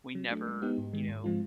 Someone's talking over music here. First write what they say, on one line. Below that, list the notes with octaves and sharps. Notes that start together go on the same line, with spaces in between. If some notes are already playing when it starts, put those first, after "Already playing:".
we never you know,
F#3
A3 D4
G#3
B3 D#4 G4
G#2
D#3 G#3
G#2
F3 G#3 C4 F4